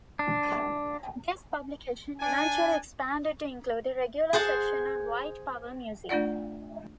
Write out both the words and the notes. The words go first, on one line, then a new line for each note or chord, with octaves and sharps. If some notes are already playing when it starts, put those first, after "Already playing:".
This publication eventually expanded to include a regular section on white power music.
D4
D4 G#5
G#4 C5 F#5 A5
A3 D4 F4 D5 F#5